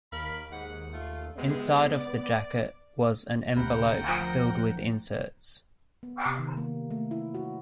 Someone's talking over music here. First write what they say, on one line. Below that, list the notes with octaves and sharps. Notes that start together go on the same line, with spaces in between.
Inside of the jacket was an envelope filled with inserts.
D#2 A#4 F5 B5
G#2 F#5
A3 F4
C3 F#3 G#3 B3
D5
D2 C3 A#4 F#5 G5 B5
F3
B3
C3
D#3
A#3
A3
E4
F#4